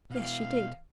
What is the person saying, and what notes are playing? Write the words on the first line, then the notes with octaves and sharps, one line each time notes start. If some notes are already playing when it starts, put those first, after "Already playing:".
"Yes, she did."
B2 E4 F5